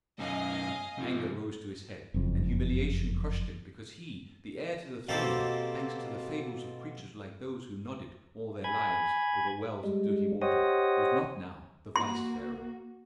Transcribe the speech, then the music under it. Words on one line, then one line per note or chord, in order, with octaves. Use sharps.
Anger rose to his head, and humiliation crushed him because he, the heir to the throne, thanks to the fables of creatures like those who nodded all their lives over wells of dirty water, was not now the vice-pharaoh.
F#2 B2 D#5 F5 G#5
C3 F3
F#1 F2
B2 A#3 C4 G4 A4
G#5 B5 G#6
G3 G#3
G4 C5 C#5 D#5 F#5 D#6
A#3 F#4 C6